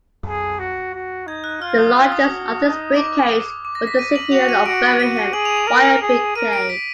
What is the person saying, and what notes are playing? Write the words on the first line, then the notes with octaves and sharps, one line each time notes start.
The largest of these brigades was the City of Birmingham Fire Brigade.
G#4
F#4
F#4
D#4 G#6
F#6
F4 F6
D#6
D#6
F#4
D#4
D6
D6
A#6
B6
D#7
F#7
F#4 F7
D#7
F#4 D7
F#4 D#7
D#7
G#4 F#7
F7
F7
A#4 F7
G#4
A#4 D#7
D7
B6